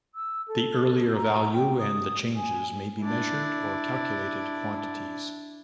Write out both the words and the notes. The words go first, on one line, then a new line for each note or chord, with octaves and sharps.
The earlier value and the changes may be measured or calculated quantities.
E6
A4
A#5
G5
D#6
G#5
D4 E4